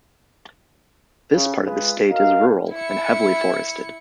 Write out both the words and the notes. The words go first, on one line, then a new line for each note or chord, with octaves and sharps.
This part of the state is rural and heavily forested.
C#3
G#3 F4 G#4 B4
F#4 A#4 D#5 F5
E4 C#7